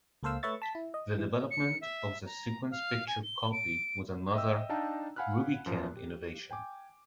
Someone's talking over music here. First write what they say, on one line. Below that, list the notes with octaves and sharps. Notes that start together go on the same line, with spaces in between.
The development of the "sequence-picture copy" was another Rubicam innovation.
C#2 A#3 A4 C5 F5 E6
A3 B4 C#5 E5 C#6 A6
A5 B6
E4
D#5
G#2 E3
C#7
E5
A#5
F5
G#5
G7
D7
D#5 E5 G5 E6
D4 D#4 F5 G5 A5 A#5
F5 F#5 G#5 B5 F6 F#6
F#2 F3
G4
G5 G#5 D6